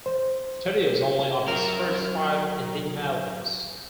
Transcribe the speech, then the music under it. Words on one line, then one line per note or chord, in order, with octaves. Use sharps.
Studios only on his first five Enigma albums.
C5
F#3 A#4